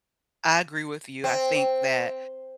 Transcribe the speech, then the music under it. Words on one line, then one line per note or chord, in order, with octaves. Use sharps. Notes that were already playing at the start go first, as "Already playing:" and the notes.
I agree with you, I think that
C4